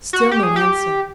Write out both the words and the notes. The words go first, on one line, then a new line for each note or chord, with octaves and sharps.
Still no answer.
F#4
G4
G#4
G4